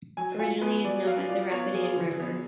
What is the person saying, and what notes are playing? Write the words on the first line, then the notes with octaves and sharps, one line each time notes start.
Originally, it was known as the Rapid Ann River.
F#3 G#5
F4 G#5
B3 B4
F#3 D5
F#3 F5
F4 D5
B3 C#5
F#3 G#4
D3
B3